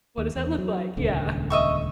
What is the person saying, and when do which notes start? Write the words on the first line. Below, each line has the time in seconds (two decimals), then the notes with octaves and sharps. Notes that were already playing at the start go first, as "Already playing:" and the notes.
What does that look like? Yeah.
0.18 D#2
0.36 E2
0.58 F#3
0.97 D#1 C#2 D3
1.50 D#5 E5 C#6